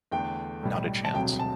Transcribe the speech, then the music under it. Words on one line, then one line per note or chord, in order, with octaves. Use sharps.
Not a chance!
E2 D3 A3 G5
B1 A2 G3
A5
E1 D2 C3 F#3 G5
A5